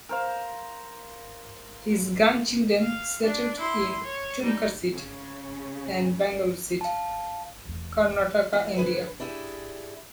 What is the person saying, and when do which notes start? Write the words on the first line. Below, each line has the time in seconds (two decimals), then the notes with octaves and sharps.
His grandchildren settled in Tumkur City and Bangalore City, Karnataka, India.
0.09 A#4 C5 F5
2.81 F5
3.22 D4
3.60 E4 C6
4.03 C#5
4.42 G3 D#4
4.92 C#3
6.81 F5 A5
7.65 F1 E2
8.53 E2 E3 F4
8.76 D3 G#4 B4 C5
9.20 D4 E4 G4 G#4